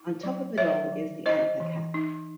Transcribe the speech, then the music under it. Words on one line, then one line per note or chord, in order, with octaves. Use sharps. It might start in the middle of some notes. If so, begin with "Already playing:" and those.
On top of it all is the anther cap.
Already playing: E4
F#3
F#3 C#5 E5
F#3
E4 C5 D#5
E3
D#4